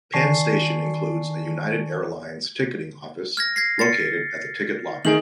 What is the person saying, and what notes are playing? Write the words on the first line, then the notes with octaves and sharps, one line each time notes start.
Penn Station includes a United Airlines ticketing office, located at the ticket lobby.
D#3 D5 G#5 A5 C#6 C7
F6 G#6 A#6
G#6 A#6 C7
A6 C#7
D#3 G#4 D7 F#7